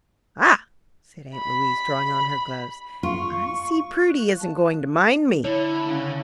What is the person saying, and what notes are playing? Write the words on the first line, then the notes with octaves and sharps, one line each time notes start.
"Ah!" said aunt Louise, drawing on her gloves, "I see Prudy isn't going to mind me."
B5
F4 C#6
F#6
A5
D3 E4 C#5
C#3